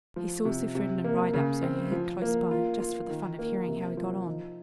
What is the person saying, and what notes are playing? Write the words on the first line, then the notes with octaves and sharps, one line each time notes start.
He saw Sir Ferdinand ride up, so he hid close by, just for the fun of hearing how he got on.
F3
C3
C3
A#3
C#3
C4
F3
A#3
F4
F4
D#3
A#3
C3
F3
D#4